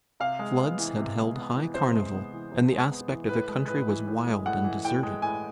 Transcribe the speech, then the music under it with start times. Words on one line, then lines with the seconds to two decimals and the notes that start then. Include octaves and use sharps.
Floods had held high carnival, and the aspect of the country was wild and deserted.
0.20 C3 F5
0.39 G#3
0.58 B3
0.79 E3
0.97 C3
1.17 G#3
1.36 B3
1.56 E3
1.74 C3 C5
1.94 G#3
2.14 B3
2.33 E3
2.52 C3
2.72 G#3
2.91 B3
3.10 E3
3.29 A2 B4
3.49 G#3
3.68 A2 B4
3.87 E3
4.07 A2
4.27 G#3
4.46 A2 F#5
4.64 E3
4.85 A2 G5
5.03 G#3
5.22 A2 G#5